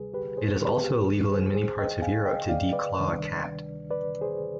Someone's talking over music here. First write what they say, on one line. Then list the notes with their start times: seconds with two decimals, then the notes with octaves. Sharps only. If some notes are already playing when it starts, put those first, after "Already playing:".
It is also illegal in many parts of Europe to declaw a cat.
Already playing: D2 C3 G3 G#4 B4
0.14 G4 B4
0.37 G#4 C5
0.61 G4 B4
0.84 G4
1.08 F2 D#3 G3 D4 G#4
1.32 G#4 C5
1.55 G#4 C5
1.78 D#5 G5
2.02 F5 G#5
2.25 D#5 G5
2.49 D5 F5
2.73 B4 D5
2.96 D2 C3 D#3 G3 D4
3.90 B4 D5
4.21 G#4 C5